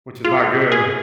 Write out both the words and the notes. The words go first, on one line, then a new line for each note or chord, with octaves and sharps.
which is not good,
F4 G#4
G#4